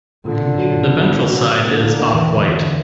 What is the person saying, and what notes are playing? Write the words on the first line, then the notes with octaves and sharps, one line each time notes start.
The ventral side is off-white.
A#2 D3
A#2
F#3
A#2
B3
F#3
B2 A#3
F#3
A#3
D3 A#3
A#3
A#3
E2 E3
D3
D3